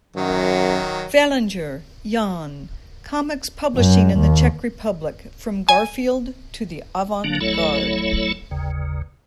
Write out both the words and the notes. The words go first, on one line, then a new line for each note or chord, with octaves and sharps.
Velinger, Jan. Comics Publishing in the Czech Republic: From Garfield to the Avant Garde.
F#2 D#3 F#3
F#2
D#2
G#5
D3 F#3 A#3 D4
B1 F#3 A3 E4 A4 C#5
G1 D#2 C#3